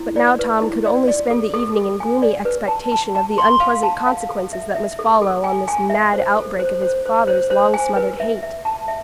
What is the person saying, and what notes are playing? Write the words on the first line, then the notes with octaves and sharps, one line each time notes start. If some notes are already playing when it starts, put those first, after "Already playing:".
But now Tom could only spend the evening in gloomy expectation of the unpleasant consequences that must follow on this mad outbreak of his father's long-smothered hate.
Already playing: E4
D5
B4
E4
D5
D5
A4
A4
A4
G#5
D5
B4
A5
A5
A5
C6
F5
A5
F5
A4
E5
E5
A4
A4
G#5
G#5
E5
C5
A4
C5
C5
C5
C5
C5
G#5
B4
E5
E5
A5
E5